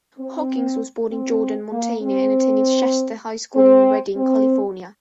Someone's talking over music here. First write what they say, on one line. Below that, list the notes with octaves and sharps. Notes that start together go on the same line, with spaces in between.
Hawkins was born in Jordan, Montana and attended Shasta High School in Redding, California.
C4
C4
A#3
C4
C4
C4